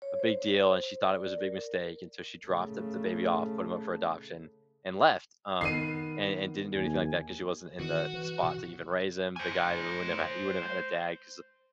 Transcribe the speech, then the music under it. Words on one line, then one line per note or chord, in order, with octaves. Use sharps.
a big deal, and she thought it was a big mistake, and so she dropped the the baby off, put him up for adoption, and left, um, and and didn't do anything like that 'cause she wasn't in the the spot to even raise him. The guy who wouldn't have he wouldn't have had a dad 'cause
C#5
C5
D5
A#4
C#3 A3
D#3 B3 C7 D#7
D#2 G#5
D#3 F#4
E3
C3 E3
C5 G#5